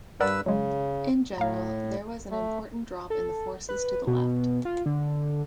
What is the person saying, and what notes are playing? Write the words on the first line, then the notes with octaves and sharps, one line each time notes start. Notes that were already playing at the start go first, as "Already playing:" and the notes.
In general, there was an important drop in the forces to the left.
G2 A#4 B4 D5 F#5 E6
C#3 F#3 G#3
A2 F5 A#5
A3
A4
B4
B2
F4
D3